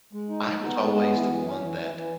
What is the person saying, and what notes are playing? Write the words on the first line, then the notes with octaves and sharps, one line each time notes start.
I was always the one that
G#3
D#4
D#4
B3
G#3
B3
E3
E3
C#4
E3
E3
E3